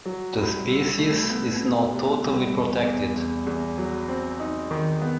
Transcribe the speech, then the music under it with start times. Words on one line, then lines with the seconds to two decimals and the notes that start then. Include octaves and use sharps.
The species is now totally protected.
0.05 F#3
0.37 C2
0.67 C3
0.98 A3
1.30 B3
1.61 B2
1.92 G3
2.23 C2
2.53 E2
2.84 E2
3.16 E2
3.47 E2
3.78 F#3
4.08 C4
4.40 D#4
4.71 D#3
5.02 B3